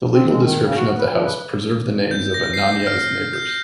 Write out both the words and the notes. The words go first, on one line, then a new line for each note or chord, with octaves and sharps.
The legal descriptions of the house preserve the names of Ananiah's neighbors.
C4
G#3
D#3
C#3
F#4
B4
F3
B4
G6
A#6
C7
F6
G6